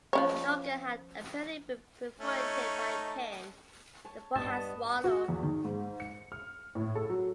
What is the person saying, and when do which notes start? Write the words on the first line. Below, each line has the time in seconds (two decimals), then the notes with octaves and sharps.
The organ had apparently been perforated by a pin the boy had swallowed.
0.13 F3 C#4 C#5
2.19 A3 C#4 D#4
4.05 C#5 A5
4.36 G2 B3 D#5 A5
5.04 F#4
5.28 E2
5.43 D#3
5.65 G#2
6.00 C#7
6.32 F6
6.75 A2
6.95 A4
7.09 F#3